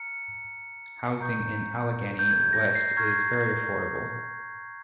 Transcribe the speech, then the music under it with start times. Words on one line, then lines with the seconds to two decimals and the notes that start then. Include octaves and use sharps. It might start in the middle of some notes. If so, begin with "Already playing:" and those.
Housing in Allegheny West is very affordable.
Already playing: A#5 F6 C#7
1.21 A#5 C#6 G6
2.19 G6
2.31 G#6
2.53 A#6
2.75 C7
2.97 A#5 C#6 F6 G#6